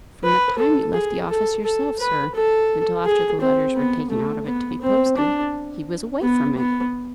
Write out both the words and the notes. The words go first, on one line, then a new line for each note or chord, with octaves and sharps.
"From the time you left the office yourself, sir, until after the letters were taken out of it to be posted, he was away from it."
B4
A4
G#4
A4
A4
B4
A4
G#4
C4
B3
A3
B3
C4
D4
B3
B3